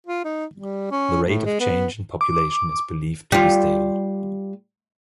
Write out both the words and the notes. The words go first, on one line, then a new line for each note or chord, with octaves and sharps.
The rate of change in population is believed to be stable.
F4
D#4
G3
C#4
A2
G#3
B3
D6
G3 F4